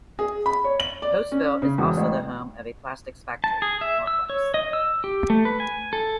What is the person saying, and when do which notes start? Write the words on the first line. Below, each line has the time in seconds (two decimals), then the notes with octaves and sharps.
Postville is also the home of a plastics factory, Norplex.
0.19 G#4
0.46 B5
0.64 C#5
0.80 F#7
1.02 D5
1.32 C#4
1.62 C#3
1.78 E1
1.97 A1
3.44 A5
3.62 G#4
3.81 E5
4.07 E6
4.30 C#5
4.54 D#5
4.73 E6
5.04 G4
5.30 A3
5.45 B4
5.60 G#5
5.93 A4